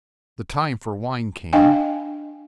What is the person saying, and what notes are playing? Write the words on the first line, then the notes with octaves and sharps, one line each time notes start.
The time for wine came.
D4 D#5 F5 G5 G#5